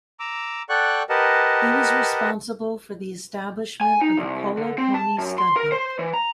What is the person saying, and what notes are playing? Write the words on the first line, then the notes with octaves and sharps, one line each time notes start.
He was responsible for the establishment of the Polo Pony Stud book.
A#5 D6 E6
A4 D5 F#5 G5 C#6 F#6
G4 A#4 B4 D#5 F#5 A5
G#5
D#4
C2
D3
C4
A5
F#2
C6
A#4
C5
E3
A#5